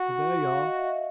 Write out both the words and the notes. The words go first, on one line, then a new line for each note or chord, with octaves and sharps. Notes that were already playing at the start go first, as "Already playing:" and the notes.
But there ye are!
Already playing: F#4 F#5
F5
D#5
E5